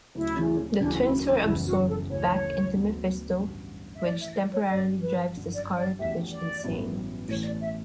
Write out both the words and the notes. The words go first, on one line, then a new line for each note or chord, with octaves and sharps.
The twins were absorbed back into Mephisto, which temporarily drives the Scarlet Witch insane.
D2 C#3 F#3 A3 E4
E1 D2 C#3 F#3 C#4 D4
E4
D4
F#1 E2 C#3 E3 G3 E4
F#4
A4
D2 C#3 E3 C#5
D2 D3 F#3 B3
A1 G2 D3
E5
A2 E3 A3 E4 D5
E5
D5
C#5
G1 G2 F#3 C#4 D5
B4
G1 F#2 D3
D5
D5
E2 B2 A3 C#4 G4 E5
D5
A1 G2 F#3 B3 E4
A1 A2 E3 A3 C#5
D5
E5